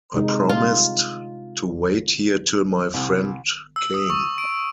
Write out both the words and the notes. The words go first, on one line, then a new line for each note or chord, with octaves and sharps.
I promised to wait here till my friend came.
C3 G#3 D#4
F4
C2
E6
D#6
C#6
D7